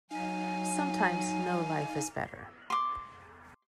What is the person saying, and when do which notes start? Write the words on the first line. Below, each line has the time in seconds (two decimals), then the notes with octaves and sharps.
Sometimes, no life is better.
0.11 F#3 D#4 F5 G#5
2.70 C6 D6